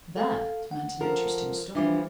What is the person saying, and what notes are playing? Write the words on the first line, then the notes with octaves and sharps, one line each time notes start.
That meant an interesting story.
A4 F5
F#5
F3 A4 A#4
E3 F3 G3 D4 E5 D6